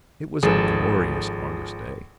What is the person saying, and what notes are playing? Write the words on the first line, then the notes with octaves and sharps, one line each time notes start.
It was a glorious August day.
G#1 F3 G#4 A4